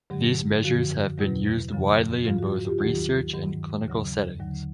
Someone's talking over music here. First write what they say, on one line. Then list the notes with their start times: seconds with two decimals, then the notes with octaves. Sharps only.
These measures have been used widely in both research and clinical settings.
0.10 G2 D3 F#3
0.64 F#2 D3 F3 F#4
1.18 E2 B2 F#3
1.71 F#2 C#3 F3
2.25 G#2 F3 F4
2.38 F#4
2.52 F#4
2.65 F4 G4
2.78 D#2 D#3 F#3 F4 G4
3.33 G2 D#3 F#3
3.86 D#2 C#3 F#3
4.40 D#2 D3 F#3